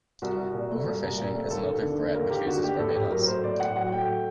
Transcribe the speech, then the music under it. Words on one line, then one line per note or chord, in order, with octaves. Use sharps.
Overfishing is another threat which faces Barbados.
C2 F#4
C2
A#2
A3
C2
C2
A#2
A3
D#2 A4
D#2
D3
A3
D#2 A#4
D#2 G4
D3 F#4
A3 G4
A2 A4
A2 G4
F#3 A#4
A3 C5
A2 D5
A2 F#5
F#3 F#5
A3 G5